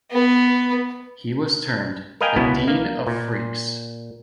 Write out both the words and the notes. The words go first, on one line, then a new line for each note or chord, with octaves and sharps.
He was termed "The Dean of Freaks".
B3
A#4 B4 D#5 F5 G5 G#5
C#2 B2 B3 E4
A#3
A#2